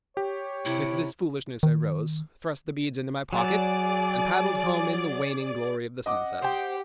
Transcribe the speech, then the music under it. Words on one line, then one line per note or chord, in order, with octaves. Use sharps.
With this foolishness I rose, thrust the beads into my pocket, and paddled home in the waning glory of the sunset.
G4 C#5
C3 E4
D#3
F#3 G#4 D5 G#5
D#5 F#5 D6
G4 C5 G5